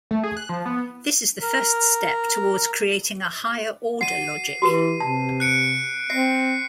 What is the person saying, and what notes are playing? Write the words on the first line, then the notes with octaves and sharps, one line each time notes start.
This is the first step towards creating a higher-order logic.
A3
G#4
F#6
F3
B3
A#4
F#5 C7 D#7
E3 F#4 G4 B4
C3 A5
F#6 C#7 D7
C4 E5 C7